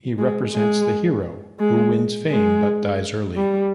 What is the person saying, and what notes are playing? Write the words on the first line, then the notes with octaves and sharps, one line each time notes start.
He represents the hero who wins fame but dies early.
G#3
G#3
G#3
G#3
G3